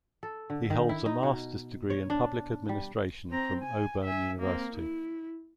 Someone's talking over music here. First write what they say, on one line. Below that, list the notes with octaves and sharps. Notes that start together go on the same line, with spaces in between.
He holds a master's degree in Public Administration from Auburn University.
A4
D3
D#3
E4
D#4
B2
C#5
D4
G3
C4 A#5
G#5
E5 G#5
A#3 C4
E4